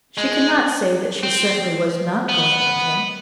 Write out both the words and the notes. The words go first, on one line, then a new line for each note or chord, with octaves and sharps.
She could not say that she certainly was not going with him.
G#3
C4
B3